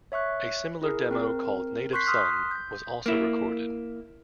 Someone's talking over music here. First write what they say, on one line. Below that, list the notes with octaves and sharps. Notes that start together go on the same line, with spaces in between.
A similar demo called "Native Son" was also recorded.
C#5 E5 C#6 F#6
E4 G#4 A#4
C4 A#4
C6 C#6 F#6 G6 B6 C7
C6 D#6 F6 F#6 B6
G6
A#3 E4